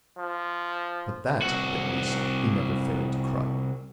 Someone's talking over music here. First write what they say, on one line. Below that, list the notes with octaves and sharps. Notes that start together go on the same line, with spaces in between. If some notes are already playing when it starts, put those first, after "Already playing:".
But that, at least, He never failed to cry.
F3
C2 F#4